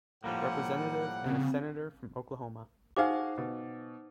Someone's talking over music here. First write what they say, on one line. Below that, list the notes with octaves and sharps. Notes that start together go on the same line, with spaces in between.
Representative and a Senator from Oklahoma.
A2 F3 G3 A#3 F#5
C#3 C4
D#4 F#4 G#4 C5 F5 D6
B2